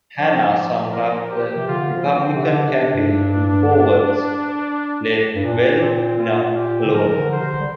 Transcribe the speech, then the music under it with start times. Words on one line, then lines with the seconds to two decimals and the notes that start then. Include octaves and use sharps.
Hanna summed up the Republican campaign in four words, Let well enough alone.
0.18 F3 D5
0.55 D5
0.92 A#4
1.31 G4
1.56 C3
1.68 D3 F4
1.93 F3
2.05 C4
2.18 D3
2.35 C3
2.43 D3 D4
2.68 C3
2.93 G2
5.35 G2
5.43 A#2 D4
5.81 C4
6.19 F4
6.56 G4
6.85 D3
6.94 F3 A#4
7.19 D3
7.32 C5
7.40 C3
7.44 D3
7.60 G3